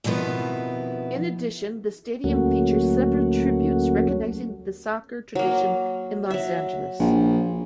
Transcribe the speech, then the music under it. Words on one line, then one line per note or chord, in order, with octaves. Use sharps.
In addition, the stadium features several tributes recognizing the soccer tradition in Los Angeles.
F2 B2 D#3 F3 B3 E4
D2 F#3 A3 A#3 C#4 F#4
F#3 A#3
F#3 E5
A#1